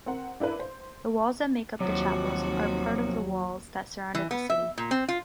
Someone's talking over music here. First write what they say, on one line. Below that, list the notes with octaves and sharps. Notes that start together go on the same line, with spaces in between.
The walls that make up the chapels are part of the walls the surrounded the city.
C4 A#4 F#5
D4 E4 A#4 B4 F5
C5
D#2 C3 F3 F#3 F#4
E3
B3
E5
A#2
C4
F4